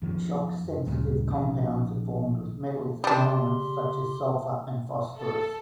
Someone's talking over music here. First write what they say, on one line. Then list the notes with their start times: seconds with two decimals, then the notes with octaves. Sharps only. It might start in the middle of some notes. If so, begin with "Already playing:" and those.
Shock-sensitive compounds are formed with metals and elements such as sulfur and phosphorus.
0.02 F#2 D#3 F3
0.87 D2 G2 A#2 C#3
1.30 A#1 D#3 C#4
3.04 C#3 G3 D4 G4 C6
5.19 A4